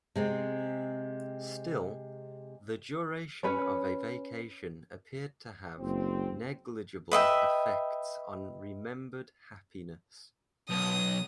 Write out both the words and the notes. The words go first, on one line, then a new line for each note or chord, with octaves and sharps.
Still, the duration of a vacation appeared to have negligible effects on remembered happiness.
C3 G#3 C4
C#4 B4 C#5
F#1 C#2 C4
B4 D#5 E5 G5
B1 D#6